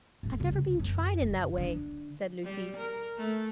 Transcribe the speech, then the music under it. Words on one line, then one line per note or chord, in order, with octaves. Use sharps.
"I've never been tried in that way," said Lucy.
A2 G#3
C2 C#3
F#2
F#1
D3
G3
A#4
A3